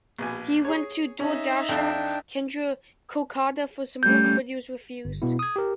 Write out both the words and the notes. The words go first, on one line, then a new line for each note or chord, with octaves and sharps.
He went to Doordarshan Kendra Kolkata for some work, but he was refused.
A#1 B2 G#5
G#4 C#5
C#4 D#4 E5
F2 D4 G5 A5
G3 A3 C#4 G6
G1
B2 B3 E4
D#6 G#6
G4 A#4